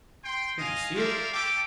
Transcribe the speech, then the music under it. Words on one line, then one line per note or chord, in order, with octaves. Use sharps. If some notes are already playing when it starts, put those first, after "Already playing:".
Don't you see it?
G5 C6
D#5 F5 G#5
F4 A#4 C5 D5 E5 F5
A3 G4 A4 G5 D6